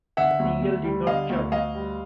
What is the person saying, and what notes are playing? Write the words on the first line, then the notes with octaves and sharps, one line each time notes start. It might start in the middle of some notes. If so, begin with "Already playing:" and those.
The single did not chart.
D3 E5 F#5
D2
D2
G3
D3 D#5 F5
D2
D2 D#5 F5
G3